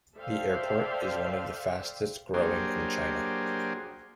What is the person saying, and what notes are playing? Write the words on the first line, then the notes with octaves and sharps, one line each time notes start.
The airport is one of the fastest growing in China.
A4 C5 D5 E5 F5 G5
F#3 A#3 D4 G4 G#4 C5